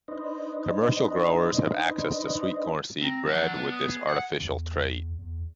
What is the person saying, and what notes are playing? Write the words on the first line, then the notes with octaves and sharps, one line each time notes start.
Commercial growers have access to sweet corn seed bred with this artificial trait.
D4 D#4 B4 C5 D#5
C4 A#5
F3 D4 F#5
B3
D#6
G#4
F#5
E2
E2